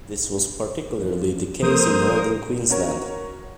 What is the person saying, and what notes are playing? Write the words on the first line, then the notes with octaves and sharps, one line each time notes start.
This was particularly the case in northern Queensland.
F3
F3 A#3 A4 A#4 C5 D#6
C#4 F#4 A#4 C#5